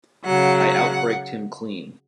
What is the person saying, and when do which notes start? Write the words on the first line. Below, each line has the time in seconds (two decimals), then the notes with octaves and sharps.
I outbraked him clean.
0.25 C#3 F#3 F#5
0.69 F#5